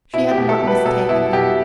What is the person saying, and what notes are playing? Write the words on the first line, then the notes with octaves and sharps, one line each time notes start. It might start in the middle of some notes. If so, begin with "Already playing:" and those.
She had not mistaken him.
B2 E4
G4
B2
A4
B2
B4
B2 A4
B2 E4
B2 G4